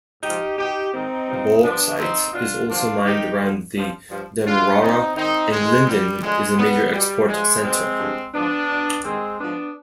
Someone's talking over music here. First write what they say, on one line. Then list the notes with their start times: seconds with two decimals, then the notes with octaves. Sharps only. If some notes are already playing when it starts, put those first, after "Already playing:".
Bauxite is also mined around the Demerara, and Linden is a major export centre.
0.22 G#2 F3 D#4 G4
0.57 B2 D#4 G4
0.92 G#2 D#3 C4 D#4
1.27 G2 F3
1.63 G2 F3 B3 D4
1.99 G2 D3 F3 C4 D#4
2.33 B2 D4 F4
2.69 G2 D3 F3 D4 F4
3.04 G2 D#3 D#4 G4
3.39 G2 D3 F3
3.75 G2 F3
4.10 G2 F3
4.45 G#2 D#3 D4 F4
4.81 G#2 D#3 C4 D#4
5.15 G#2 D#3 C4 D#4
5.51 G2 D#3 G#3
5.86 G2 D3 F3 G3
6.22 G2 D3 F3 G#3
6.57 B2 G3 B3
6.92 B2 G3
7.28 G2 D3 F3 G#3
7.63 B2 G#3 C4
7.98 G2 D3 F3
8.34 G#2 F3 B3 D4
8.69 B2
9.04 G2 D#3 G#3 C4
9.39 G#2 F3 B3 D4